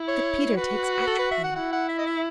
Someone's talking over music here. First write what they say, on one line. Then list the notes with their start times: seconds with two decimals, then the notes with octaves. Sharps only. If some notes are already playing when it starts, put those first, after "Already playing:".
'That Peter takes atropine.'
Already playing: E4
0.08 C#5
0.57 F#4 B4
1.02 B4
1.07 A4
1.19 B4
1.31 E5
1.44 F#5
1.56 E4 F#5
1.73 F#5
1.89 E5
1.98 D#5
2.06 E5